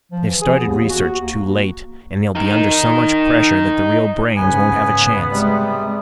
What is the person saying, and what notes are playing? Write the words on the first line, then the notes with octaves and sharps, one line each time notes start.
They've started research too late and they'll be under so much pressure that the real brains won't have a chance.
F3
E3
G#4
B3
D#2
F#4
A#3
D#4 A#4
G#2 C#3 B3 G#5
C3 G3 G#3